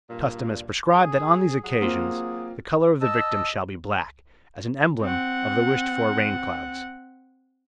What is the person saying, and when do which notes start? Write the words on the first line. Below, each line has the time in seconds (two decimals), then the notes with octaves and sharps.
Custom has prescribed that on these occasions the colour of the victim shall be black, as an emblem of the wished-for rain-clouds.
0.10 G2 A#2
0.93 G#4
1.64 F#3 G#4
1.82 A#3 C4 F4
3.01 D#5 A5 E6
5.01 C4 F#5